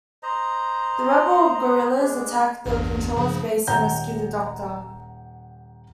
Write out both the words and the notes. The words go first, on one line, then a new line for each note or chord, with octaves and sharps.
The rebel guerrillas attack the Controller's base and rescue the Doctor.
C5 D#5 A#5
G#3 D4
A1 E2 G2
G2 C#3 F3
D#1 F#5 G5 A#5 G6